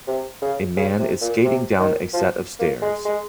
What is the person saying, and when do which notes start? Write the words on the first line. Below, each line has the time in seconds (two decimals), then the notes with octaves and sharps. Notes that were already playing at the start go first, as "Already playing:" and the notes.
A man is skating down a set of stairs.
0.08 C3
0.42 C#3
0.76 C#3
0.99 C3
1.21 A#2
1.45 C3
1.79 D#3
2.13 F3
2.59 A#3
2.82 G#3
3.05 G#3